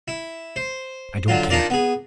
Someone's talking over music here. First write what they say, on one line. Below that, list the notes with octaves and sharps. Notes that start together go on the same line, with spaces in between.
I don't care.
E4
C5
D3 F#3 F4
D4 D#4 F4 A#4 D5
B3 G#4